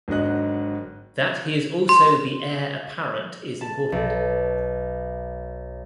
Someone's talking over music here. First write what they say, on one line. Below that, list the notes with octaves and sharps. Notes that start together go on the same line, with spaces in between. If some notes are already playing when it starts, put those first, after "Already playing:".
That he is also the heir apparent is important.
G#1 D3 F#3 D#5 F#6
C6
A5
B1